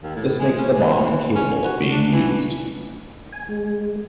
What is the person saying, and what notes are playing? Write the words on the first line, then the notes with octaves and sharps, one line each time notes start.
This makes the bomb incapable of being used.
D#2
A2
G#3
C#4
E3
E3
C#4
F#4
D4
E3
G#5
G#3